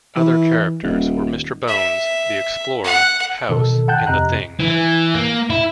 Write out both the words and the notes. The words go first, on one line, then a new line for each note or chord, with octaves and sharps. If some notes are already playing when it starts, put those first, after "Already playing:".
Other characters were Mister Bones, the Explorer, House, and the Thing.
E3
D#1
E5
F#5
B2 D#3 A4
F#5 G5 A5 F#6 G6
F2 C3 D#5 A#5 F#6
E3
A#3
E4